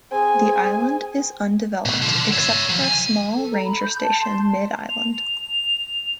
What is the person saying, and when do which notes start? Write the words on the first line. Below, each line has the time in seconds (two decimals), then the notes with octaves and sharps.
The island is undeveloped, except for a small ranger station mid-island.
0.12 C4 G#4 G#5
1.86 B2 A3
2.02 D3 F3
2.19 D3
2.33 C#5 E5
2.70 F3 F#3
2.84 G#5
3.34 A4
3.53 A#5
3.66 B5
3.84 G6
4.00 A5
4.21 C6
4.89 F7